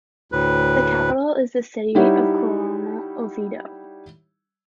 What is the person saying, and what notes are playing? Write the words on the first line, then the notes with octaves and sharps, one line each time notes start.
The capital is the city of Coronel Oviedo.
D2 A2 B4
G3 D#4 E4 G4 C#5 F#5